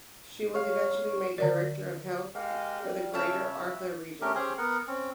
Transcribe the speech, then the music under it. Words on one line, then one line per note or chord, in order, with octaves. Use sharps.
She was eventually made Director of Health for the Greater Accra region.
C#5 F5
D3 A#4 D5
G#3 G4 A#4 F5
G3
C#3 C#5 E5 F5 G5 A5 B5
A3 C#4 G4 A#4
C#4 G4 G#4 C5
B3 A#4 F#5
C4 C#4